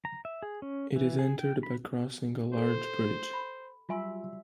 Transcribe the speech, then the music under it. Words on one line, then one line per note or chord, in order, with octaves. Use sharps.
It is entered by crossing a large bridge.
A#5
E5
G#4
C#4
E3
G#4
G5
B5
G4 A4 C5
B5
F#3 G3 F4 E5 G#5 C6